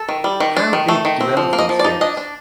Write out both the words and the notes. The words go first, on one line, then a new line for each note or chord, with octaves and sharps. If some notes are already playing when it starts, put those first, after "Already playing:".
How big do elephants get?
Already playing: A4
D#3
G3
D#3
D4
D#3
A3
D#3
C4
F3
A#3
D#5
F3
D5
D#4
D4 D#5
D4